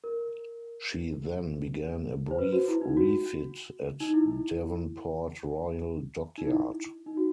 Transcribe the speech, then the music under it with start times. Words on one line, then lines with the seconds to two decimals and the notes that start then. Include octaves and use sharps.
She then began a brief refit at Devonport Royal Dockyard.
0.04 A#4
2.31 C5
2.39 B4
2.52 F#4
2.68 E4
2.81 D#4
2.97 F#4
4.00 D#4
4.14 E4
6.38 D#4
6.47 E4
7.06 D#4
7.17 F#4